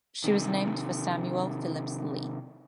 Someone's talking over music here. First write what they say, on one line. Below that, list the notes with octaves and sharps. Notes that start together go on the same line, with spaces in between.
She was named for Samuel Phillips Lee.
C3 D#3